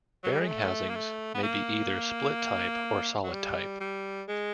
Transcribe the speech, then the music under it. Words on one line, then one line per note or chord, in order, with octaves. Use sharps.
Bearing housings may be either split type or solid type.
F#3
G3
G#3
A3
A#3
A3
B3
A#3
F#3
G3
G3
G#3